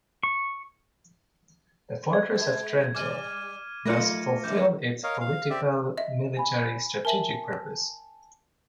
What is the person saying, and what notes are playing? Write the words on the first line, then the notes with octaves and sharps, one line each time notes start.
The fortress of Trento thus fulfilled its political-military strategic purpose.
C#6
G#6
G#3 B3
G3 D5 D6 F6 D#7
F3 A3 D#4 F4 A#4 A#6 C#7
F2 A#2 D3 D6 G6
A#4 C#5 D#5 F5
F5
C4 G4 D5 E5
D#5 E5
G#5 B5
A#4 E5 G#5 A5 F#7